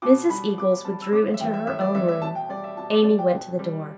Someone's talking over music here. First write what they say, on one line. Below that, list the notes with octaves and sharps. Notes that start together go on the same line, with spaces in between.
Mrs. Eagles withdrew into her own room; Amy went to the door.
B2 D6
G3 B5
B2 D6
G3 A5
E6
A2 D6
E5
E3 G3 G5
E5
A2 E5
D5
E3 G3 E5
E5
B2 A5
G5
G3 D5
E5
B2 A5
D6
G3 D5
G5
B2
G3